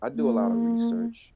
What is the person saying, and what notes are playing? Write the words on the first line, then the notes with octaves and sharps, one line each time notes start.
I do a lot of research,
A#3